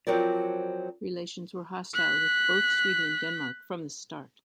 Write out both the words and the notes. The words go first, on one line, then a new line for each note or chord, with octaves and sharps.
Relations were hostile with both Sweden and Denmark from the start.
F3 F#3 C4 A#4 D5
F#6 B6